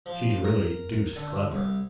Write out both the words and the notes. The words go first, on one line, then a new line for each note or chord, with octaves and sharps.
She's really deuced clever.'
F3
A#4
D3
C2